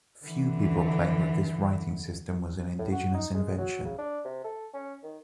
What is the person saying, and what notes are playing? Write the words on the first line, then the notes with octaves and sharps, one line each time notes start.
Few people claim that this writing system was an indigenous invention.
D3 E3
A2
F#4
D#4
G#3
F#3
C#3
D4
C3
A4
C#4
D#3